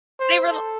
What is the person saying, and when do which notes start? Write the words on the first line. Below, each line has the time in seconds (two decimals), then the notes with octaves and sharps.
They were l
0.20 C5
0.49 A4